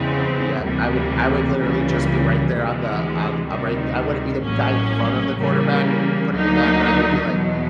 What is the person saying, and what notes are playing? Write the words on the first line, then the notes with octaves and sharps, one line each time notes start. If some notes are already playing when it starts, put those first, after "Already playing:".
yep, I would I would literally just be right there on the on right I wouldn't be the b guy in front of the quarterback r putting it back, but I would be like
Already playing: E2 C#3 E3 G#3 C4
D2 C3 E3 G3 A#3
C#2 C#3 E3 G3 A#3
D2 C3 E3 G#3
D2 C3 D#3 G3
A1 A2 F#3 A#3 C#4
C#3 E3 G3 A#3
D2 D3 F#3 A#3 D#4
E2 B2 F#3